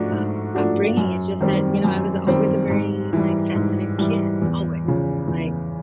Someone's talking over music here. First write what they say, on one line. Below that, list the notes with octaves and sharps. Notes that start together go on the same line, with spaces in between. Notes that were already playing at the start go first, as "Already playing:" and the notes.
uh, upbringing, it's just that, you know, I was always a very, like, sensitive kid, always, like
Already playing: G#2 F3 A3 D4 F#4
G#2
F3 A3 D4 F#4
F#2
D#3 G3 C4
F#2
D#3 G3 C4
G#2
E3 G3
G#2
E3 G3
E2
C#3 F3
E2